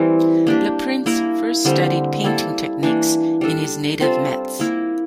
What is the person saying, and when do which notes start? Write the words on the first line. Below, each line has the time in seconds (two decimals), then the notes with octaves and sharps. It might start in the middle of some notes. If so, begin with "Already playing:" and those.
Le Prince first studied painting techniques in his native Metz.
Already playing: E3 G3 C4
0.47 A#3 D4 G4
1.06 A#3 E4 A#4
1.65 D3 G3 C4 G4
2.24 G3 A#3 E4 A4
2.83 E3 A#3 D4
3.41 G3 D4 A4
4.00 G3 C4 F4 A4
4.60 A#3 E4 A#4